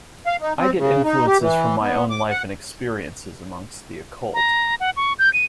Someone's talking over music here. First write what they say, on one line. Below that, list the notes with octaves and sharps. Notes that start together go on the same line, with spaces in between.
I get influences from my own life and experiences amongst the occult.
F5
D#4
C4
C#3
D#4
G4
E3
B3
D6
F#5
A#5
F#5
C#6
G6
D#7